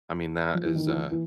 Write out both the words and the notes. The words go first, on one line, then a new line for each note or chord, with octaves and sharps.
I mean that is a
F3
E3
D#3
E3
E3